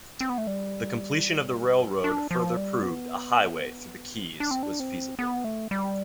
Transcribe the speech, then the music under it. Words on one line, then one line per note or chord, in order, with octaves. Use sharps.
The completion of the railroad further proved a highway through the keys was feasible.
C4
B3
A3
G3
D4
F3
G3
B3
D4
C4
D4
C4
B3
A3
G3